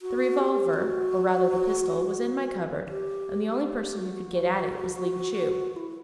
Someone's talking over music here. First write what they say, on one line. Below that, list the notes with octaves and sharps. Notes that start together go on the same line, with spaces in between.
The revolver, or rather the pistol, was in my cupboard and the only person who could get at it was Ling Chu.
F#4
G4
F#4
G4
G4
F#4
E4